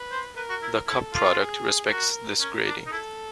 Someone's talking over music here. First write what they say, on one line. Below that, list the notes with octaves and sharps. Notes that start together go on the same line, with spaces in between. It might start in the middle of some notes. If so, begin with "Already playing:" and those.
The cup product respects this grading.
Already playing: B4
C5
A#4 B4
F#4
E4
E4 A4
F4
G#4
F#4 A#4
C#4 A#4
D4
D#4
E4 A4